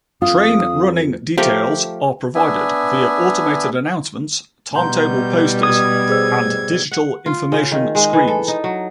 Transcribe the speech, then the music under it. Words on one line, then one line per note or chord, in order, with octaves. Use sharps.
Train running details are provided via automated announcements, timetable posters and digital information screens.
F2 F4 D#6
F3 A3 G4 A#4
B3 D4 E5 G#5
B2 G3 F#5 A#5 C6 G6
D#6 G#6
G#4 C5 E6
F#5
F4
C#3
D#3
G#3
E3
A4
D#4
F#3